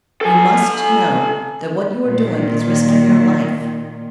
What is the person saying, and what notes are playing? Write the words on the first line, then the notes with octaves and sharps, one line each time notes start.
You must know that what you are doing is risking your life.
A4 G#5
A#2 D#3